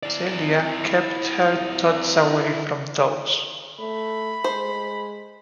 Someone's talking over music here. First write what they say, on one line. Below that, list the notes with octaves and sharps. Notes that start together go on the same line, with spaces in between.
Celia kept her thoughts away from those.
E4 D5
A3 B5
G#3 C5